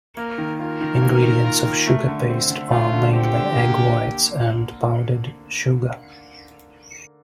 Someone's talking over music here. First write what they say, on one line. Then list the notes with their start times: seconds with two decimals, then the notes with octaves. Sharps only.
Ingredients of sugar paste are mainly egg whites and powdered sugar.
0.17 A#3 A#4
0.38 D#3
0.59 F4 A#4
0.81 D#3
1.01 A#3
1.22 D#3
1.44 F4
1.65 D#3
1.87 A3
2.08 D3
2.29 C4
2.50 D3
2.71 A3 F4
2.93 D3
3.13 C4 G4
3.35 D3
3.56 A#3